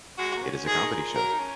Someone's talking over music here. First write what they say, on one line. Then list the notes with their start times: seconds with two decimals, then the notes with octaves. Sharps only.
It is a comedy show.
0.18 G#3 F#4
0.37 A#3
0.43 C#4
0.67 D#3 G#4
0.92 A#2
1.15 F#3 A#4
1.33 D#4
1.39 C#4